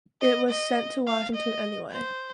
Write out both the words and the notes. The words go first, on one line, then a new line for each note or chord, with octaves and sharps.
It was sent to Washington anyway.
D#5
D#5
F5
D#5
C5